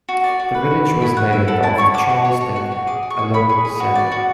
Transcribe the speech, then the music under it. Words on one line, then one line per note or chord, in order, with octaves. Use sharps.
The village was named after Charles Decker, a local settler.
F#4
D5
F#4
B4
F#4
D5
E4 B5
C#5 F#5
E4 E5
A4 F#5
E4 A5
C#5 C#6
F#4 D6
F#4
C#5
C#5
F#4
F#4
G#4 D6
G#4
C#6
C#5
C#5 B5
G#4
G#4
F#4
D5
F#4